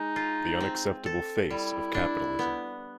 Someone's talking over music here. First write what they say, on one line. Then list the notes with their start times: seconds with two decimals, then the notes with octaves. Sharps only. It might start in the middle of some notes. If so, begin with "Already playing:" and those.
The unacceptable face of capitalism.
Already playing: G#3 D#4
0.16 F4
0.60 C4
1.06 A4
1.50 G3 E4
1.94 D4
2.39 B3